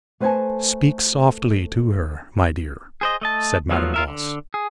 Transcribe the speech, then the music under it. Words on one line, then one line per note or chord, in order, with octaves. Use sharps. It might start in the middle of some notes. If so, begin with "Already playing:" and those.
'Speak softly to her, my dear,' said Madame Voss.
A3 B4 C5 F5 G#5 A5
G#4 C5 D#5
A3 D#5 A5
F3 F#3 A3 B3 F4
F4 A#4 E5
D3
G#4